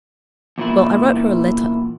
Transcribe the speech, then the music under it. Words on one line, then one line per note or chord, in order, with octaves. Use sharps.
Well, I wrote her a letter.
E2 A#2 E4